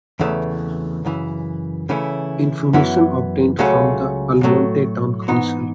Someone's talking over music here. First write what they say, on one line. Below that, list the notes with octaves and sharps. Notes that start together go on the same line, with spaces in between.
Information obtained from the Almonte Town Council.
E2 C#3 E3 A3
F#2 C#3 E3
C#3 E3 A3 C#4 E4
F#2 E3 B3 E4
C#2 C#3 F#3 A3 C#4
A2 F#3 A3
G#2 E3 B3 D#4